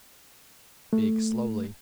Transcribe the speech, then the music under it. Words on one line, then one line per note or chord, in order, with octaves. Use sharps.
Bake slowly.
A3